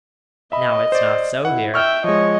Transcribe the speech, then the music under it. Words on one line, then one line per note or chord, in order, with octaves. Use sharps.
Now, it's not so here.
D#5 E5 B5
C5 D5
E4 F#5
E5 G5 C#6 E6 F6
F3 G#3 C#5 D#5